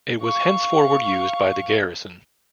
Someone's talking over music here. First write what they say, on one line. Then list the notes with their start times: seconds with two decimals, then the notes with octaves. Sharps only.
It was henceforward used by the garrison.
0.21 F5 C#6